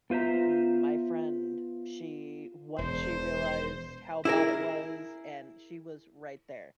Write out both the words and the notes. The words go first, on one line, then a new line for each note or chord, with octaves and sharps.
m my friend, she once she realized how bad it was and she was right there.
B3 F4 C5 E5 A#5
E1 C5
E4 G#4 A#4